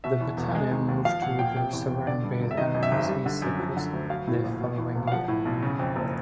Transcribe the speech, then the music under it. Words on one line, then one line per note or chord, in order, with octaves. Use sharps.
The battalion moved to the Sovereign Base Areas in Cyprus the following year.
B2 E5
E2
E1
G#3
D#3
D#2
F3 F5
A#2 F#5
A#1 G5
C3 G5
E2
E1
D3 D5
G2
G1
E5
D#3 D#5
F#2
E5
G#1
G3
D3
F#2
F3
D3
D2
F#3 F5
A2
A#1
B2
E2
E1
F5
F3 F#5
A2
B1
C#3
F2
F#1